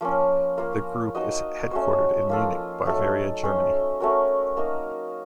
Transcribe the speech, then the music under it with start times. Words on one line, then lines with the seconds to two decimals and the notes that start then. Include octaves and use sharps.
The group is headquartered in Munich, Bavaria, Germany.
0.01 F3 A#3 C#4
0.57 A#3 F4 A#4
1.15 D#4 F#4 C5 D#5
1.71 A3 C#4 F#4 C5
2.29 F3 A#3 F4 A4
2.86 F#3 A3 D#4 A4
3.43 C#4 A4 C5
4.00 A3 C#4 F#4 A#4
4.57 A#3 D#4 A#4